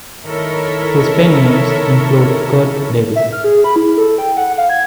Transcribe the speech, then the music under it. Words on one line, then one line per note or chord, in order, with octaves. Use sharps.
His pen names include Curt Davis.
D#3 E4 A4 A#4 C#5
E5
F6
G#4
B5
E4
A4
G5
F#5
F5
G#6